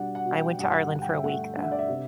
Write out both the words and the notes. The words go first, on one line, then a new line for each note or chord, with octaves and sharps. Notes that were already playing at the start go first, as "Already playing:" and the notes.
I went to Ireland for a week, though.
Already playing: B2 G3 D4 F#5
F#5
B2
G5
G2 F#5
F#5
D3 F#5
G5
E5
A3 F#5
D4 F#5
E5
D5
E5
C3